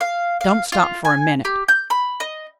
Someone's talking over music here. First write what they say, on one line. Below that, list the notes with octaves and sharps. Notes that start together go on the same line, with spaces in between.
Don't stop for a minute.
F5
F5
F4
G#5
G4
G6
B5
D#5